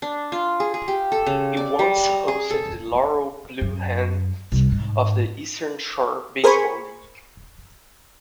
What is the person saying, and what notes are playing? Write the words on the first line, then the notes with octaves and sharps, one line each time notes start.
It once hosted the Laurel Blue Hens of the Eastern Shore Baseball League.
D4
F4
G#4
G#4
G4
A4
C#3
D5
G3
A#5
G#4
A4
F#2
C2
G#2
G#4 A#4 C5 G#5 B5 C#6